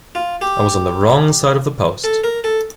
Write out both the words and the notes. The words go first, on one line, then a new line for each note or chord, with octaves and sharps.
I was on the wrong side of the post.
F4
G4
A4
A#4
A4